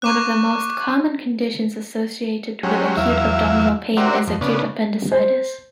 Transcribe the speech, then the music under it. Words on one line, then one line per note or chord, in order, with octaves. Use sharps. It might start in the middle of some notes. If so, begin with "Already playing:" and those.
One of the most common conditions associated with acute abdominal pain is acute appendicitis.
C#6 D6 F#6
F#3 G#3 C#4 G4
E2 F#3 E4 E5 F5
F#4 G4 A#4 C5 D5 E5
F2
C#3 B3 D4
C5